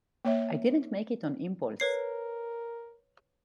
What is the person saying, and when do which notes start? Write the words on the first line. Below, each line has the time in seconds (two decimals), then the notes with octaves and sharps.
I didn't make it on impulse.
0.25 A#3 C#5 E5
1.80 A#4 B4 C#5 C7